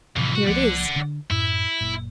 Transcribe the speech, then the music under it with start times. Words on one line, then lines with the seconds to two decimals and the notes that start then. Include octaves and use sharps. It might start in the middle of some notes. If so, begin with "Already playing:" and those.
"Here it is."
0.16 F2 A2 C3 E3 F#3
0.34 F#4
0.47 C2 F3 A#3 D5 F#5
0.96 D3 D4
1.31 F#2 A2 E4
1.80 F#1 A#2